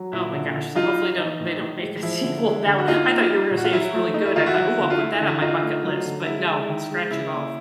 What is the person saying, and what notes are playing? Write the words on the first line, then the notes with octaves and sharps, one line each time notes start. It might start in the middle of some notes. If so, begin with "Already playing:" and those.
Oh my gosh, so hopefully don't they don't make a sequel to that one I thought you were gonna say it's really good. I thought, "Ooh, I'll put that on my bucket list." But no, scratch it off.
Already playing: F#3
A#2 E4
D3
D3
F#3 D#4 F4
F#3
E3 D#4
A2
A2
G#3
F3 E4
D3
G#3
D3
F#4
A#3 D#4 F4
A#3
G3
A#2
F#4
F4
F#3 E4
A3
A3 D#4
E4
D#3 D#4 F4
E4 F#4
F#3
D3 F#4
F4
A3 E4
E4
D3
E4
D3 D#4 F4
A3
F#3
D3
G#3 E4
G#3
D#3
G#3
C#3 E4
A#3